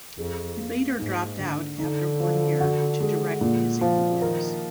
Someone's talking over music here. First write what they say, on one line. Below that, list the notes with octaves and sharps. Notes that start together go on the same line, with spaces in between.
He later dropped out after one year to direct music videos.
F2 G#4
A#3
G#2 D#4
D3
D3 D#4
F3
F#4
G#3
A#2
F3
D#3 A#4